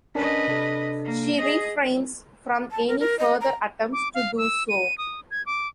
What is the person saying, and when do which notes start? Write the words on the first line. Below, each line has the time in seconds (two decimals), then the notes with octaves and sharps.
She refrains from any further attempts to do so.
0.15 C#4 D4 A#4 B4 D#5
0.48 C3 D4 A4
1.05 A#3
1.37 G#4 D#5
2.71 A5
2.88 A#4
3.00 A#4
3.19 D#5
3.41 A#5
3.93 D6
4.14 F5
4.38 E6
4.69 D#7
4.98 D#6
5.31 G#6
5.46 D6